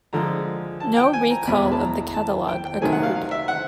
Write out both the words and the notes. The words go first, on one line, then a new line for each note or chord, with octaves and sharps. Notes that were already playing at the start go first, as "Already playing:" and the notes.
No recall of the catalog occurred.
D3 F3 G#3 A#5
A5
G5
G#5
A#5
E2 B2 G#3 B5
A5
A#5
A5
G5
G5
C3 D#3 F#3 A3 G#5
F#5
F5
F5
E5
F#5